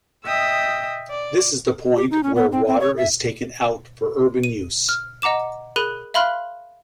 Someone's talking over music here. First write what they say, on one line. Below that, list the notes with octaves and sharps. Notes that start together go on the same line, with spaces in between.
This is the point where water is taken out for urban use.
D#5 E5 G5 D#6 E6
D5
G4
D#4
C#4
B3
C4
C4
C#5
E5
D#7
F6
D#5 F#5 A#5 D6 E7
G#4 A#4 B5 F#6 D#7
E5 F5 B5 C6 F6 F#6